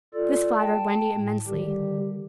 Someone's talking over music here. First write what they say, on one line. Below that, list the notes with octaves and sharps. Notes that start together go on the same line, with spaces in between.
This flattered Wendy immensely.
F4 A4 D5
G5 A5
A2
D3 D#3 G3 G4